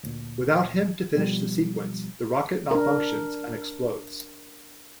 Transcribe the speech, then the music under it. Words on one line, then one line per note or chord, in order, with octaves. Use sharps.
Without him to finish the sequence, the rocket malfunctions and explodes.
D2 A#2
B2 F3 G3
D4 A#4